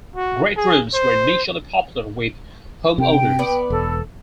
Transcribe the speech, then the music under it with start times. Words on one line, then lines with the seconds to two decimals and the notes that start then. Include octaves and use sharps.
Great rooms were initially popular with homeowners.
0.16 F#4
0.57 G#4
0.94 C5
2.98 C3 G5
3.39 B3 B4 D5
3.70 E1 A4